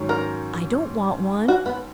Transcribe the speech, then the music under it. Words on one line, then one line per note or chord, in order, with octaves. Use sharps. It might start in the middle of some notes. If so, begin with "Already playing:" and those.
"I don't want one."
Already playing: G#2 D#3 F#3 C#4
A#4
F#4
B3